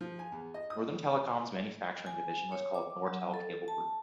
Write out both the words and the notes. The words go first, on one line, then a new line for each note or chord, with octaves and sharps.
Northern Telecom's manufacturing division was called Nortel Cable Group.
F3
G#5
E2
D#5
D#6
G#5
C#5
D6
F#3
A4
A5